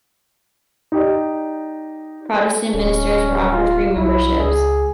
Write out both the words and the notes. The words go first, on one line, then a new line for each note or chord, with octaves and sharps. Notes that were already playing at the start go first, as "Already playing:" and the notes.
Protestant ministers were offered free memberships.
D#4 G4 D5
D1 C#4
F4
B1 E4
C#2 G#4